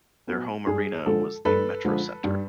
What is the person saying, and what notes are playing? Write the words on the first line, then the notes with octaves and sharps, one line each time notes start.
Their home arena was the MetroCentre.
F#3 B3
G2 G#4
D3 F3 G#3 A4
G2 A4 B4
D3 F3 G#3
G2